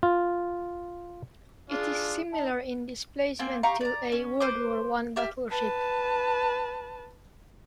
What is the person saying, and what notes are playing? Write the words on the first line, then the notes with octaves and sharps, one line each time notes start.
It is similar in displacement to a World War One battleship.
F4
D4 F4 G#4
D#4 A5
A#3 C4 F4 G#5
G4 F5 A#5 C#6
D5 A#5
C#4
B4 C5 C6 D6
G4 E5 F6
B4 A5